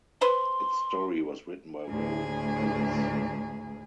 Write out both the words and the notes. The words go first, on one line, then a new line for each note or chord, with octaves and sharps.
Its story was written by Warren Ellis.
B4 C5 C6
D2 A2 G#4